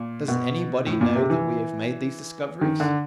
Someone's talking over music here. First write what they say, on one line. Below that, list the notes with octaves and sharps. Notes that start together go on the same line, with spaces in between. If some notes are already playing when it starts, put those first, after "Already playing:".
"Does anybody know that we have made these discoveries?"
Already playing: A#2
B2
A2
A#2
C3
E3
D#3
D3